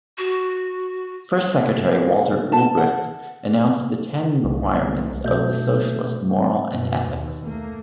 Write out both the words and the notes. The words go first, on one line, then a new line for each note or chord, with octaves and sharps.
First Secretary Walter Ulbricht announced the "ten requirements of the socialist moral and ethics".
F#4
A5
F#5
C2
B2 A3 G6
F#2 B2
D#2
A3 A#3